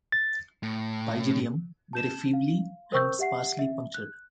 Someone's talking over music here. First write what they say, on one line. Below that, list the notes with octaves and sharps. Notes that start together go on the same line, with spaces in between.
Pygidium very feebly and sparsely punctured.
A6
A2
A5 G6 E7
F5
A#4 C5 G5 C#6 E6 G6
G4 E5 F#5 C7
E5
F#6